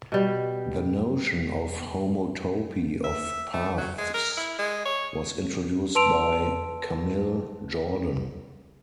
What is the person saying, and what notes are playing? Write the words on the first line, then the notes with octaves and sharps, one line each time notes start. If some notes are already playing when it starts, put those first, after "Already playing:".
The notion of homotopy of paths was introduced by Camille Jordan.
B2 G3
E5
A3
F#3
G#3
A#4
E4
G#3
C#5
B4 A5 C6 E6 D7 F7